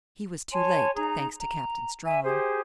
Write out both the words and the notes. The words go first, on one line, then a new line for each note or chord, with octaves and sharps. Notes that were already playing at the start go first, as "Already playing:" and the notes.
He was too late--thanks to Captain Strawn.
C#5 G#5 A5 C6
D#4 G#4 A#5
A#5
E5 G#5
G4 G#4 C5